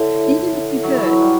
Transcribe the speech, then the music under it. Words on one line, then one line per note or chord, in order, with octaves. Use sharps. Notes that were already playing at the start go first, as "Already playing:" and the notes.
Even if you could,
Already playing: D3 E4 A4 C#5 E5
F#3
E3
F#3
G3 E4 G4 D5 F#5